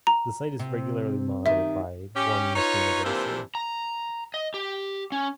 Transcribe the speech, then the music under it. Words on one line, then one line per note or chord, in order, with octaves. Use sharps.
The site is regularly monitored by Bournemouth University.
A#5
C3
D#3 G3 D#4 E5
C#4 G4
D#4 F4 B4 C#5
C3 E3 A#3 C4 D4 F4
A#5
D#5
G4
C#4